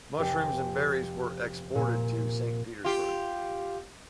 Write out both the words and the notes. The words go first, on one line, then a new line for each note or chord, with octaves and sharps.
Mushrooms and berries were exported to Saint Petersburg.
F1 G4
A#2
F4 G4